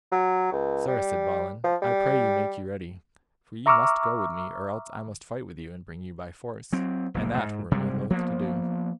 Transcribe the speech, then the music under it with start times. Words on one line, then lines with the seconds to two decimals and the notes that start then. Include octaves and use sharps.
Sir, said Balin, I pray you make you ready, for ye must go with me, or else I must fight with you and bring you by force, and that were me loath to do.
0.12 F#3
0.52 C#2
0.88 G3
1.64 F3
1.82 G3
3.66 E5 A#5 C#6 D6 E6 F6
6.73 F#3 C4
7.14 F1 B1 A#3
7.37 G#2
7.71 F#1 C3 G3 G#3
8.10 F3 A#3 B3